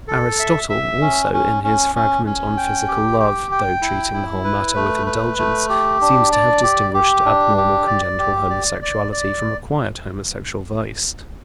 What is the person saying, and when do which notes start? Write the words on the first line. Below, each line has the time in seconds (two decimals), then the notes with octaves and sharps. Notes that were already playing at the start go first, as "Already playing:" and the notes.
Aristotle also, in his fragment on physical love, though treating the whole matter with indulgence, seems to have distinguished abnormal congenital homosexuality from acquired homosexual vice.
0.08 A4
0.39 E5
0.70 E5
1.02 C#4
1.33 C#4
1.64 C#4
1.95 C#4
2.26 C#4
2.57 G5
2.88 G4
3.20 G5
3.52 G5
3.82 E4
4.13 E4
4.44 B4
4.76 A3
5.07 B4
5.38 A3
5.69 G4
6.01 D4
6.32 D5
6.63 G4
6.94 G4
7.25 D4
7.57 G4
7.87 D5
8.19 G4
8.50 D5
8.82 D5
9.12 D5